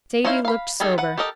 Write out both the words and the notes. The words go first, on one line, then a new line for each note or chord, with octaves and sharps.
Sadie looked sober.
C#4 D#4 E4 C5 F5
F5 B5
D#3 G3 G#4 A4
B4 F#5
G4 A4 A#4 D#5